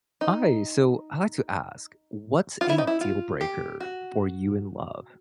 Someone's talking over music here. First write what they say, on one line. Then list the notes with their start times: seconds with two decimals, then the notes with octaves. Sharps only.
Hi, so I'd like to ask, what's a deal breaker for you in love?
0.21 D#4
2.61 F4
2.70 E4
2.78 D#4
2.87 E4
3.01 F4
3.41 G4
3.80 F#4